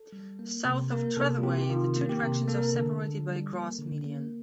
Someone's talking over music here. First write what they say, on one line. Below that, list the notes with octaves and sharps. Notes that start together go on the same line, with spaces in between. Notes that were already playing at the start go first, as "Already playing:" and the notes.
South of Trethewey, the two directions are separated by a grass median.
Already playing: A4
G3
A#3
C3
A#3 A#4
C3 A4
F4
C3 G4
G4
D#3 F4
A#3
G4
C3
A#3 A4
A#4
A4
D3
D3
G3
A#3
D3
A#3